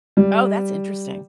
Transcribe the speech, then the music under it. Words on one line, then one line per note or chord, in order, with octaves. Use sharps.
Oh, that's interesting.
G3